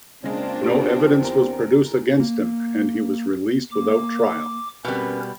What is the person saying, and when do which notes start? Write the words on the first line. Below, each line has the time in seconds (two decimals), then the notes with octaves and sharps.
No evidence was produced against him, and he was released without trial.
0.24 C#3 G#3 A#3 C4 D4 F4
0.61 B2 G4 D7
1.20 E2 A#4
2.20 A#3
3.71 A#3 D6
4.85 B2 G3 C4 C#4 A#4 B4